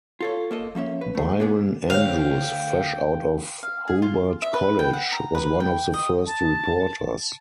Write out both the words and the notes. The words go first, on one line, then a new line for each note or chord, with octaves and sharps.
Byron Andrews, fresh out of Hobart College, was one of the first reporters.
F4 A4 C#5
A#3 A4 D#5
F3 A#3 C#4 E5
B4
A3 G#4
A#3 B3 D4 F4 G#4
D2 C5 C#5 F5 G5
F5
G#4
F4
E5
B4
G5
F#5
A#5
B4
G5
D#5
A5